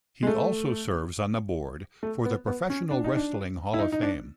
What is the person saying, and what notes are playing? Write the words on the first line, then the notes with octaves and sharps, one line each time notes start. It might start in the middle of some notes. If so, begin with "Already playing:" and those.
He also serves on the board for the Professional Wrestling Hall of Fame.
G#3
A3
A3
B3
B3
C#4
D4
D#4
D4
E4
D#4
D#4
D4